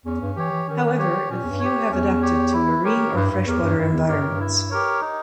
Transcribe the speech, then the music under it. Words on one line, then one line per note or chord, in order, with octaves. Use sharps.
However, a few have adapted to marine or freshwater environments.
E2 C#4
G2
E3 G4 C#5
E3
D#3 C#4
G4 C#5
A#2 C#4
E2
G2
G4 C#5
E2 C#4
G4 C#5
E4
G4 A#4 C#5
G2 E4
G2
E2 G4 A#4 C#5
G2
G2 E4
E2
G2 G4 A#4 C#5
G2
E4
G4 A#4 C#5
D#4